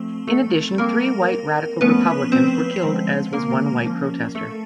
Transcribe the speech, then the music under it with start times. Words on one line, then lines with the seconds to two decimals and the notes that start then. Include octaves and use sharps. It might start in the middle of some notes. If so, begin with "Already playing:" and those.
In addition, three white Radical Republicans were killed as was one white protester.
Already playing: F3 A3 C4
0.27 A3 A4
0.78 G3 A#3 C4 A#4
1.81 F3 A3 B3 C#4 B4
2.32 C4 C5
2.83 D3 F3 G#3 C4
3.33 A#3 A#4
3.84 F3 A#3 C#4
4.35 A3 A4